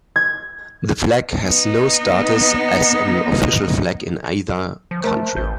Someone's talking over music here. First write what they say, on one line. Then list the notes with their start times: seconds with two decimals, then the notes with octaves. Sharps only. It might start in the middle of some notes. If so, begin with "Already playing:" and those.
The flag has no status as an official flag in either country.
0.16 G#6
1.43 B3 D#4
4.91 F3
5.04 A3 A#4 C5 A5
5.36 A1 G6